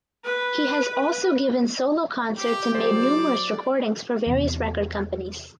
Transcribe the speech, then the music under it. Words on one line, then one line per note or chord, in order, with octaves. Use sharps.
He has also given solo concerts and made numerous recordings for various record companies.
B4
G4
F#3 G#4 C5 D5
E2 C3